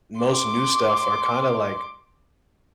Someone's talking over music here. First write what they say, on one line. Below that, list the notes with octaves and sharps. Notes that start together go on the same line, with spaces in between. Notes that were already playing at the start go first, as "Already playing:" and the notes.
most new stuff are kinda, like
C6 D6